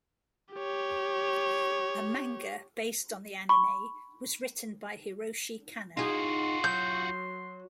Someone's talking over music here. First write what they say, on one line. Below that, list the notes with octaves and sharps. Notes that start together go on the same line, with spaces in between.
A manga based on the anime was written by Hiroshi Kanno.
G4 C#5
B5 C#6
D#4 F4 F#4 G#4 C6
F#3 G6